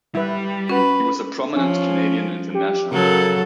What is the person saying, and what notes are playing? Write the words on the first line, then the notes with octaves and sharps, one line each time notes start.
He was a prominent Canadian international.
G3 E4 B4
C#4 F#4 B4
F3 C#4
G4
C#3 F#3 A4 A#4